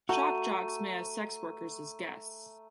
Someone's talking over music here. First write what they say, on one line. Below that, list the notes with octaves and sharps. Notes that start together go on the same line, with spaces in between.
Shock jocks may have sex workers as guests.
A3 F#4 A#5 D#7